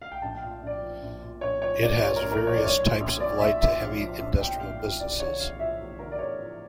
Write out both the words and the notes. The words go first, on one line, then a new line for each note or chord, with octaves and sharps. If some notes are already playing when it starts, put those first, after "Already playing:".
It has various types of light to heavy industrial businesses.
F5
G5
A#1 A5
G5
F5
A#2
A#1 D5
F3
A#1
A#2
A#1 C#5
F3 C#5
A#1 D5
A#2 C#5
A#1 A#4
A#4
F3
C#5
D5
A#1 C#5
A#2
A#1
F3 D5
A#1 E5
A#2 E5
A#1 F5
F3
A#1
A#2 G5
A#1 F5
F3 F5
E2 D5
D3 C#5
E2 F5
F3 E5
E2
D3 A#4
D5
E2 C#5
F3